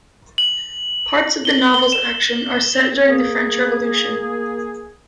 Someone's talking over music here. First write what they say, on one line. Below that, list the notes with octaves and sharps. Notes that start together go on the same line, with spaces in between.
Parts of the novel's action are set during the French Revolution.
F#7
G7
G7
E7
A#3 G#4